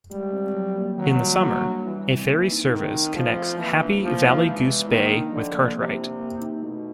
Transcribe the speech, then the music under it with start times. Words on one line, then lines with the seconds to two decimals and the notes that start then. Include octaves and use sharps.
In the summer, a ferry service connects Happy Valley-Goose Bay with Cartwright.
0.11 G3 G#3
0.33 C4
0.54 F#3
0.76 A#3
0.98 D#3 F#3
1.20 G3
1.42 A#3
1.63 D4
1.85 E3 G3
2.07 C4
2.28 A#3
2.50 D#4
2.71 D#3 A3
2.93 C4
3.15 F3 A3
3.37 C4
3.58 E3 A#3
3.80 D4
4.02 F3 A#3
4.23 D#4
4.45 E3 G#3
4.67 B3
4.89 D#3 A#3
5.10 D4
5.32 D3 F3
5.54 A#3
5.75 C3 C4
5.97 E4
6.19 A#3
6.41 D#4
6.62 B2 A3